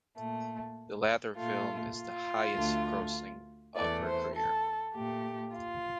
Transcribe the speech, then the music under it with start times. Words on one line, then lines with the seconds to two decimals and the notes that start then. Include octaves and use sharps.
The latter film is the highest grossing of her career.
0.16 A#2 A3
1.36 A#2 A3 F4
1.96 F4
2.55 D2 D3 A3
3.75 E2 E3 A3 D5
4.06 C5
4.35 A4
4.94 A#2 A3 G4
5.55 F4